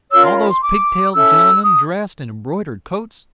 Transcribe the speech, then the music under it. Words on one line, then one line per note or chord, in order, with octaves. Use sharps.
All those pigtailed gentlemen dressed in embroidered coats.
C#4 F4 A#4 C#5 E6
C6
B5
C6
D6
C#4 E4 A4 E6
D#6